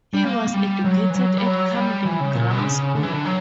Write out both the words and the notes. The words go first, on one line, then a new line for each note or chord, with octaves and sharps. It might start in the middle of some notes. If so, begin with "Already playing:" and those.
He was educated at Camden Grammar School.
G3
A#3
A#3
G3
F#3
E3
F#3
G3
F#3
G3
E3
C#3
A#2
B2
D3
C#3
D3
E3
D3
F#3